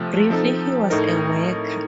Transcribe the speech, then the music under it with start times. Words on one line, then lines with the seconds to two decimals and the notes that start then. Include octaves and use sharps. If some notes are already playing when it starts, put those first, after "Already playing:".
Briefly, he was a worker.
Already playing: C3 F3 A3
0.30 F3 C4 D#4 A4
0.90 A2 A3 D#4 A#4